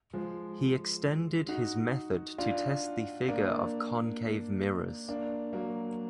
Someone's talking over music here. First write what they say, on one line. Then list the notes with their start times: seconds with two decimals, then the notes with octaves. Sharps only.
He extended his method to test the figure of concave mirrors.
0.13 F3 G#3
1.48 D#4 F#4
2.38 D4 F4
3.28 A#3 D4
5.08 A#3 D4
5.53 F#3 A#3